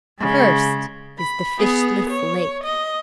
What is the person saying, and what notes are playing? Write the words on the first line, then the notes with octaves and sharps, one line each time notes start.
"Cursed is the fishless lake!"
C#3 G#3
B5
B3 G#4
C#5
D#5